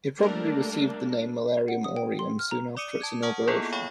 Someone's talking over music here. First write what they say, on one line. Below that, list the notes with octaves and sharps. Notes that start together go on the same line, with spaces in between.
It probably received the name "Milliarium Aureum" soon after its inauguration.
G3 A3 A#3 D4 A#4
F#5
D#6
G5
C6
F6
A#5
D5 D6 D#6 C#7 D#7
A5 G#6
F#5 A5 C#6 D#6 F6
A#3 B3 E4 F4 G#4 A4
C#5 F5 G5 B5 C#6